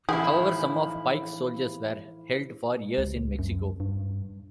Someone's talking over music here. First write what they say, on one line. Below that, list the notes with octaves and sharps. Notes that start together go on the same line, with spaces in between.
However, some of Pike's soldiers were held for years in Mexico.
A2 E3 F3 D#4 E4 G#4
C#2
F#2
G2